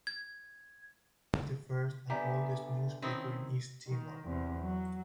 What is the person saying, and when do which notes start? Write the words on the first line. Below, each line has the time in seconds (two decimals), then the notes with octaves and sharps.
It is the first and oldest newspaper in East Timor.
0.07 G#6
2.10 D3 B3 G4 D5 E5 G#5 A#5
3.02 D#3 C4 C#4 E4 D#6
3.89 D#3
4.26 E2 C3
4.61 F#3